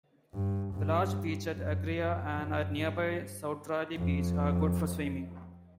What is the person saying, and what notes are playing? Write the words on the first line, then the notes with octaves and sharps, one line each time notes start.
The large beach at Agria and at nearby Soutrali beach are good for swimming.
G2
G2
F#2
F#2
F#2
G2
F2